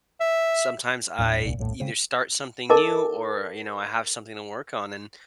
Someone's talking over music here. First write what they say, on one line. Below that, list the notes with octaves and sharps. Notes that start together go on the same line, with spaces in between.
sometimes I either start something new or, you know, I have something to work on and,
E5
D#1 A2 D4
D#1 C2 A#2
D#1 A#1 A2 A3
C#3 G#3 C4
D#4 A4 A#4 D#5 A5 D6